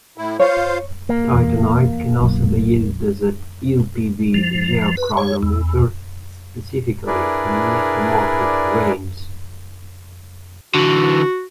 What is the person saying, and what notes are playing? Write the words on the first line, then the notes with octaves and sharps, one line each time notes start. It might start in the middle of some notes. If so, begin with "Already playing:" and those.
Titanite can also be used as a U-Pb geochronometer, specifically in metamorphic terranes.
A2 E4
F4 C5 C#5 F5
A#3
E2
B1 F#2
F3
B4
C#5
E2
D4 E4 G#4 A#4 B4 D5
D3 E3 F#4